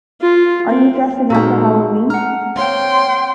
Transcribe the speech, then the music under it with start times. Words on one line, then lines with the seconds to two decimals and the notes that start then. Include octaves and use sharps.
Are you dressing up for Halloween?
0.21 F4
0.70 C4
1.30 A#2 G#3 D#4 F#4 A4
2.10 F#5 A#5 F6
2.56 A#3 C4 C#5 G5 C6